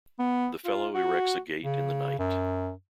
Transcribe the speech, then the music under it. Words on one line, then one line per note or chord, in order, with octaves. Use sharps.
The fellow erects a gate in the night.
B3
F4
F#4
C#3
F#2